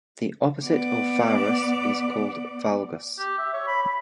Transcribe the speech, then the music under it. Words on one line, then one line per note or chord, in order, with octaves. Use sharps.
The opposite of varus is called valgus.
B3 D5
G4
E5
C#5
B5
B5